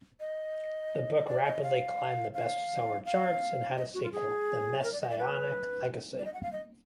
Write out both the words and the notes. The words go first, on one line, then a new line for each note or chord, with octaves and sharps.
The book rapidly climbed the bestseller charts, and had a sequel, "The Messianic Legacy".
D#5
D#5
D5
D#5
F5
F5
F5
D#5
F#4
F4
G#4
A#4
D5
D#5
D5
B4
D5
D#5
F#5
F5
D#5